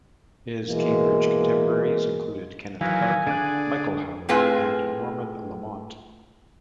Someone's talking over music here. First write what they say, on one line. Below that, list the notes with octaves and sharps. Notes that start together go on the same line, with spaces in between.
His Cambridge contemporaries included Kenneth Clarke, Michael Howard and Norman Lamont.
B2 E3 G#3 A#3
D#3 E3 F#3 F5 G#5
D3 G#4 D5 F#6
A2 C4 F4 G#4 B4 F5